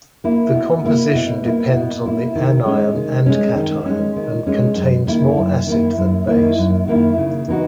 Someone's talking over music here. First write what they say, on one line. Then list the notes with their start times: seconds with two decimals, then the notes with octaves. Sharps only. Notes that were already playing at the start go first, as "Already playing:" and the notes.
This composition depends on the anion and cation and contains more acid than base.
0.24 A#3 E4
0.54 B2
0.85 A#3 E4
1.14 B2
1.45 A#3 E4
1.75 B2
2.05 A#3 E4
2.35 D#3
2.65 G#3 C#4
2.96 D#3
3.26 G#3 C#4
3.56 D#3
3.86 G#3 C#4
4.16 D#3
4.46 G#3 C#4
4.76 F#2
5.07 D#3 A#3 E4
5.37 F#2
5.67 D#3 A#3 E4
5.97 F#2
6.27 D#3 A#3 E4
6.58 F#2
6.87 D#3 A#3 E4
7.18 C#3
7.48 E3 B3 D#4 F#4